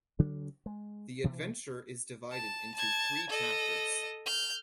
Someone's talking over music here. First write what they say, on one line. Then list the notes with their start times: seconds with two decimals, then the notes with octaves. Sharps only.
The adventure is divided into three chapters.
0.19 D2 C#3 F#3 D4
0.66 G#3
1.24 B2 E3
2.32 A5
2.75 A5 G#6
3.30 A4 D#5
4.26 F6 G6